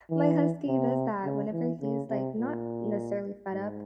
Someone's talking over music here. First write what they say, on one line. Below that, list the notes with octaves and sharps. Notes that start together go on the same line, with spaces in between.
my Husky does that whenever he's, like, not necessarily fed up,
E3
C3
C#3
E3
C#3
C3
A#2
G#2